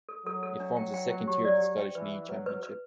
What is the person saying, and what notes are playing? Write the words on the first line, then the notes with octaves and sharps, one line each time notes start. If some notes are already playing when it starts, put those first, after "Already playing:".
It forms the second tier of the Scottish League Championship.
A4
F#3 A4
A4
D4
G5
G5
G5
G4
D5
G4
G5
E3 B4
F#5
F#3 B4
B4
B4